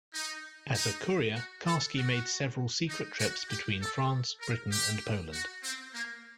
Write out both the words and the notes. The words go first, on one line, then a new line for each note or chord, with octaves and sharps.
As a courier, Karski made several secret trips between France, Britain and Poland.
D#4
D#4
F#4
A4
F#4
D#4
F#4
G4
A4
A#4
G4
F#4
C4
A#3